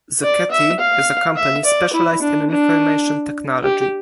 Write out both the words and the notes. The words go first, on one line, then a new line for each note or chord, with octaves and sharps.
Zucchetti is a company specialized in Information Technology.
D5
E5
F5
E5
D5
E4
D4
D4
G4